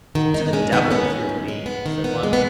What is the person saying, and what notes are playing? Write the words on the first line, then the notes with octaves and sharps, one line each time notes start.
'To the devil with your leave', said one.
D#3 F#4
G#2 D#4
G#3 C#4
D#3 B3
B3 C#4
D#3
G#2
G#3
B3
D#3
B3
G#3
B3